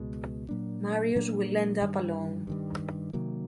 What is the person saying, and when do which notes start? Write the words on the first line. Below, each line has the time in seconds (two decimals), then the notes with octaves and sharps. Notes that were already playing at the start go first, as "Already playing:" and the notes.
Marius will end up alone.
Already playing: C#2 B2 G#3
0.49 A#2 F#3 A#3 D4
1.16 A#2 F#3 A#3 D4
1.81 G2 D#3 G3
2.47 G2 D#3 G3
3.13 C3 D#3 F#3 A#3